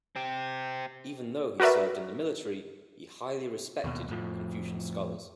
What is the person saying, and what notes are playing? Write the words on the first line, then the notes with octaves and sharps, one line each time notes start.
Even though he served in the military, he highly respected Confucian scholars.
C4 G4
F#4 A#4 B4 D5 E5
D#2 B2
F2 A2 F3